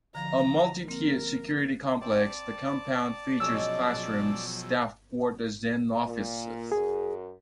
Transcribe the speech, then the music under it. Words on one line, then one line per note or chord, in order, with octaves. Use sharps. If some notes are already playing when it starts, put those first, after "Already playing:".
A multi-tiered security complex, the compound features classrooms, staff quarters and offices.
D3 F3 A#5
A#3 C4 A#4
C4 D5 A5
B2 F3 F#3 C#4 G#4 D#5 E6
A#2
F#2 G#4